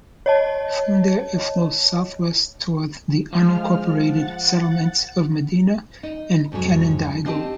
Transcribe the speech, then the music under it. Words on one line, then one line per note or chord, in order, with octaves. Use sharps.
From there it flows southwest toward the unincorporated settlements of Medina and Canandaigua.
C#5 D#5 A5
F3 G#3 F6
F#5 A6
D#4
F2 G#2 C3 F#3
C4 D4 D#4 G4 A5